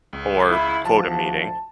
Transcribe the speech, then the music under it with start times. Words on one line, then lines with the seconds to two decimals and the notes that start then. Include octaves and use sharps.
or quota meeting.
0.13 C#2
0.50 E4
0.85 D2 F3 A5